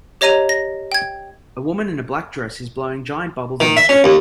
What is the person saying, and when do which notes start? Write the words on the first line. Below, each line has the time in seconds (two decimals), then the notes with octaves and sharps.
A woman in a black dress is blowing giant bubbles in the street.
0.21 G4 C#5 D#5 A#5 D#7 F7
0.49 A#6
0.92 G5 G#6
3.60 D#3
3.77 E5
3.89 C#4
4.04 D#2